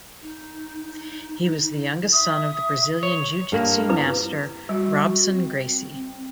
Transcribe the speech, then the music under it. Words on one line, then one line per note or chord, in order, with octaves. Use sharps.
He was the youngest son of the Brazilian Jiu-Jitsu Master Robson Gracie.
D#4
E5 D#6
C#5
G2 A#3
E4 B4 D6
G3 F#4
C4